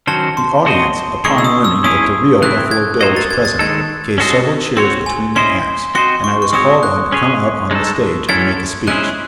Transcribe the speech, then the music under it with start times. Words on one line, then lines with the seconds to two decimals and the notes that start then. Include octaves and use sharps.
The audience, upon learning that the real "Buffalo Bill" was present, gave several cheers between the acts, and I was called on to come out on the stage and make a speech.
0.07 D#3 F#3 C#4 F#4 C5 A5
0.37 C6
0.66 C4 F#4 C5 D#5
1.25 C#3 E3 A3 D#4 G#4 C#6
1.38 E6
1.44 D#6
1.64 E6
1.84 C#4 E4 G#4 C#5 D#6
2.42 E3 A3 C4 E4 F#6
2.71 G#6
3.01 A3 D#4 F#4 C5 D#5 G#6
3.16 A6
3.30 G#6
3.45 A6
3.59 D#3 G#3 D#4 A4 G#6
4.18 C#4 F#4 A4 C5 D#5
4.77 C4 F#4 C#5 C6
5.06 G#5
5.36 C#4 E4 C5 D#5 C6
5.95 C4 F#4 C5 D#5 C6
6.24 C#6
6.42 C#6
6.53 G#3 C4 F#4 C#5 D#6
6.83 F#6
7.12 C#4 G#4 C#5
7.71 G#3 D#4 A4
8.29 F#3 C#4 E4 A4 G#6
8.87 G#3 C#4 E4 G#4 C5 F#6